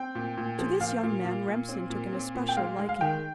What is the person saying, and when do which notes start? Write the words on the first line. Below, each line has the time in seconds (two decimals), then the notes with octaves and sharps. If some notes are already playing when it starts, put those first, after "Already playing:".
To this young man Remsen took an especial liking.
Already playing: C4 G5
0.15 A#2
0.37 A#2
0.59 F3
0.80 A#2 F5
1.03 A#2
1.25 A#2
1.47 A#2
1.69 C4
1.90 A#2
2.13 C4
2.35 A#2
2.49 G5
2.57 G#3 F5
2.79 G#3
2.89 F5
3.01 D#3 G5